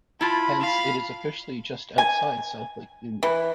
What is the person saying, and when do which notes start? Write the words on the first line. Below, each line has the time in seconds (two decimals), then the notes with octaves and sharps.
Hence, it is officially just outside South Lake Union.
0.21 E4 F4 A5 B5
0.60 F5 B5
1.98 G#5
3.23 E3